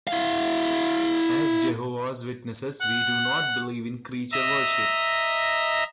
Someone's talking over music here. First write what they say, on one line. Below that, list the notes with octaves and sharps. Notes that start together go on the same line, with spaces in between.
As Jehovah's Witnesses we do not believe in creature worship...
E4 F5
F#5
D#5 E5 A#5